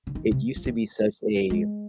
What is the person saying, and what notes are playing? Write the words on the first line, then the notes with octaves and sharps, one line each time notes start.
it used to be such a
D3
D#3
C3
F3
D#3
G#3